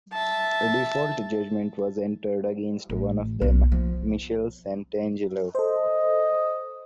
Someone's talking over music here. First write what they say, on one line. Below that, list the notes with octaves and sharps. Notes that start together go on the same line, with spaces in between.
A default judgment was entered against one of them, Michelle Santangelo.
E5 A5
A1
B1
F3
A4 C5 D#5